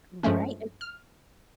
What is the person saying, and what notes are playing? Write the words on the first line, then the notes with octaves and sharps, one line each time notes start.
Right, an
G2 F3 G#3 A3 C#4
F6